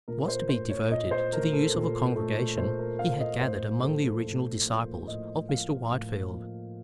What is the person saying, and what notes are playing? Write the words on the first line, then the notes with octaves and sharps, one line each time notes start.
It was to be devoted to the use of a congregation he had gathered among the original disciples of Mr. Whitefield.
A#2 A#4
C5
A3 C5
C#5
A#2 D#5
C5
A3 A#4
A4
A#2
A3
A#2 C5
A#4
A3 F5
D#5
A2 C5
F3 A#3 A4
A2
F3 A#3
A2 D#5
F3 A#3 F5
A2
F3 A#3